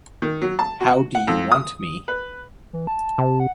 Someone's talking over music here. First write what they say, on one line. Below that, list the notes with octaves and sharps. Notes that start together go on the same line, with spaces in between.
How Do You Want Me?
D#3
F#3
A5
F#4
F#5
F2
D#6
B4
E3
A5
C3
F#5